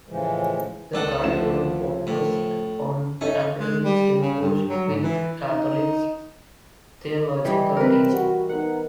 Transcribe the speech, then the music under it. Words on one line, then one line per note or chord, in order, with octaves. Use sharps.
The curriculum focused on academics infused with Catholic theological teaching.
A2 C#3 E3 F3 G#3
C#2 A4 D5 F#5
C#3 F3 A3 E4 E7
A2
C#4 D#4 A4 D#5 E5
G#3
G3
C#3
G2
F#3
G#2
E3
D#4
E3 G3 D#5
C4 A#4 B4
F#4
B3 D#4 A#4 F#5